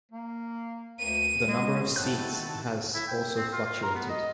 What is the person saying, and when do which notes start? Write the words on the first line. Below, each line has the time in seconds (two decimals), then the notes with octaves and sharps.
The number of seats has also fluctuated.
0.12 A#3
1.00 D2 D#7
1.47 G#3
1.96 G#2 A3 C4 E4 F#4 A4 A5 F#6
2.35 D#3
2.94 E4
3.07 G5
3.36 C4
3.53 F4
3.65 F4
3.83 A#4
3.95 B3
4.09 D#5